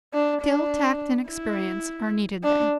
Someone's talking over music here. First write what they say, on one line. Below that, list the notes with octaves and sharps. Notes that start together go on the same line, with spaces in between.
Skill, tact, and experience are needed there.
D4
D4
E4
D4